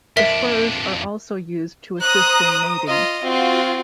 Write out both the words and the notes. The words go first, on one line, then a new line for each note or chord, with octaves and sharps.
The spurs are also used to assist in mating.
F2 D4 A#4 E5 B6
C5 A#5 D#6 F#6
F4 D#5
C4 F4 F#4